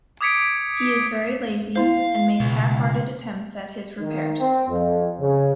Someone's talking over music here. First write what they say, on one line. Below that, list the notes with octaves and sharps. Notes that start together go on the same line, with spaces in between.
He is very lazy and makes half-hearted attempts at his repairs.
D6 D#6 G#6 B6 C#7 D7
B3 E4 C5 F5
C#2 B2
D#3
C4
F2
C#3